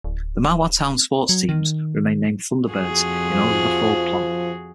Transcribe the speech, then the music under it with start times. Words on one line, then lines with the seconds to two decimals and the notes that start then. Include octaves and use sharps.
The Mahwah town sports teams remain named Thunderbirds in honor of the Ford plant.
0.04 D1
1.29 F#3
1.49 D#3
2.68 F2 F#4 G#4
3.31 F3